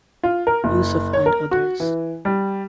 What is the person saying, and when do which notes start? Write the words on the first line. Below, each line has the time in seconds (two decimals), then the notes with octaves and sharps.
Yusuf and others.
0.23 F4
0.47 A#4
0.64 F#1
1.13 C#5
1.26 A#4
1.51 F#4
1.80 E3
2.25 G3